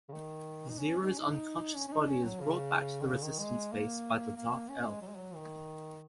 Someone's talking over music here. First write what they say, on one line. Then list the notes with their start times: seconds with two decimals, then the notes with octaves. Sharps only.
Zero's unconscious body is brought back to the Resistance Base by the Dark Elf.
0.09 C#3
0.12 D#3
0.70 D#4
0.79 C#4
1.03 D#4
1.11 C#4
1.19 D#4
1.76 C#4
1.88 C#4
1.92 D#4
2.08 C#4
2.24 F#3
2.41 C#3
3.01 D#3
3.06 C#3
3.23 D#3
3.39 G#3
3.72 A#3
4.36 A#3
4.69 C#4
4.86 G#3
5.02 F#3
5.09 G#3
5.16 F#3
5.35 D#3